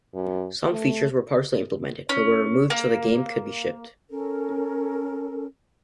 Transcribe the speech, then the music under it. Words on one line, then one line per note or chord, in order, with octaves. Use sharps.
Some features were partially implemented, but were removed so the game could be shipped.
F#2
A3
C#4
A#3
C#4 A4 A#4